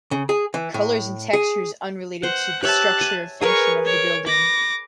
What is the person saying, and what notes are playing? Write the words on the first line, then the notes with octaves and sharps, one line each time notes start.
Colors and textures unrelated to the structure of function of the building.
C#3
G#4
E3
A2
G#4
C5 F#5
G4 C#5 E5 A5 F#6
G#5
G#4 A#4 B4 C#5 C#6
C#5 D7
B5 D6 A#6